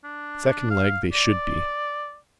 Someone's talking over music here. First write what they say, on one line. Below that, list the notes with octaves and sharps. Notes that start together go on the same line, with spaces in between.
Secondleg they should be.
D4
F5
D5